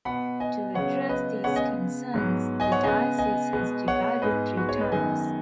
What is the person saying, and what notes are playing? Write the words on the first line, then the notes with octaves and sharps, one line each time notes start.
To address these concerns, the diocese has divided three times.
B2 B3 F#5 B5
D#5 G#5
C#3 F#3 B3 C#5 F#5
B4 D#5
C#3 G#3 B3 C#5 F#5
D#5 G#5
G#2 F#3 B3
D#5 G#5
C#5 F#5
C#3 G#3 B3 D#5 G#5
D#5 G#5
B2 G#3 B3
C#5 F#5
G#2 G#3 B3 B4 D#5
F#4 B4
G#4 C#5
B4 D#5
F#2 D#3 G#3 B3 D#5 G#5